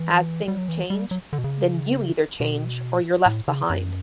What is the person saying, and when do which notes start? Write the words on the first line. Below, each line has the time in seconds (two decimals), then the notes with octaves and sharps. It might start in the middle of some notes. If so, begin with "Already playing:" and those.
As things change, then you either change or you're left behind.
Already playing: E3
0.48 G3
0.58 F#3
0.68 E3
0.90 G3
1.11 F#3
1.33 D3
1.38 B2
1.44 C#3
2.40 B2
3.26 A2
3.48 C#3
3.70 F#2